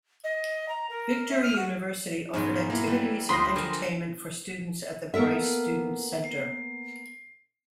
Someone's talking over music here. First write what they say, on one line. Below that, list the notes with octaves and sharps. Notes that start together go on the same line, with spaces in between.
Victory University offered activities and entertainment for students at the Bryce Student Center.
D#5
A#5
A#4
E5
F6
F#4
G#2 B2 F#3 C#4 D#4
A#3 E4 A#5
E3 G3
D2 D4 F4 G4 B5 C6 D#6 A#6
D3 F3 A#4 G#5
A#3 B3 A4 A#4 E5